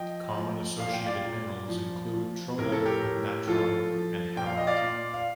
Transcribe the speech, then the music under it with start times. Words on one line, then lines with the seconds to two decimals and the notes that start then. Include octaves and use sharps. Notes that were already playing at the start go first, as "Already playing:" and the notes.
Common associated minerals include trona, natron and halite.
Already playing: F3 D#5 G5
0.35 F3
0.80 A#2 F5
0.93 G5
1.05 D5 F5
1.24 A#2
1.69 F3
2.14 F3
2.58 A2 A#4
2.72 A4
2.86 G4 A#4
3.02 A2
3.47 F3 F4 A4
3.92 F3
4.36 A#2 G5
4.46 F5
4.57 D#5
4.67 D5 F5
4.82 A#2
5.14 F5